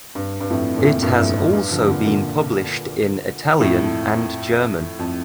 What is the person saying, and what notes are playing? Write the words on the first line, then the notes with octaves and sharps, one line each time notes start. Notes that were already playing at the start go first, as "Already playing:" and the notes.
It has also been published in Italian and German.
G2
G2
F2 A2
A#2
A2 C3
G2 A#2
F2 A2
F2
G2
D3 F3
A#2 D3
A#2 D3
F2 A2
F2